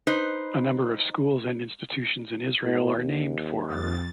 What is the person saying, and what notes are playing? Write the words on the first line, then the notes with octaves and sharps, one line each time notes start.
A number of schools and institutions in Israel are named for her.
D#4 B4 C5
B2
D#2
F2 A6